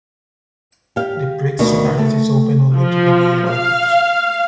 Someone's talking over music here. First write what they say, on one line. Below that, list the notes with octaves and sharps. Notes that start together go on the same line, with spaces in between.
The Prix Solaris is open only to Canadian authors.
G4 F5
D2 B2 D#3
A3
F3
F5